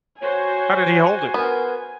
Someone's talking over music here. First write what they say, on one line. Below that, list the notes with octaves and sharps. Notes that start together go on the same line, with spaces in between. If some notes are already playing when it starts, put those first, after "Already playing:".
How did he hold it?
F#4 C5 C#5 G#5
B3 A#4